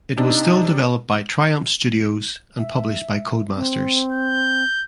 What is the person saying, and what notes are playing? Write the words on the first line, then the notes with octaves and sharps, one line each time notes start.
It was still developed by Triumph Studios and published by Codemasters.
C3 D4 D#4
E5
C4
G6